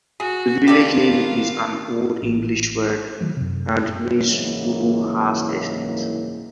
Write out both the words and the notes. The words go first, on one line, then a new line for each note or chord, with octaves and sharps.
The village name is an Old English language word, and means 'Luhha's estate'.
F#4 G#4
D#3 B3 F4 G4 A4 D5 F5
A1
D#3 F#3 A3
F#2 C3
F#1 C2 G#2 E3 F#3 A#3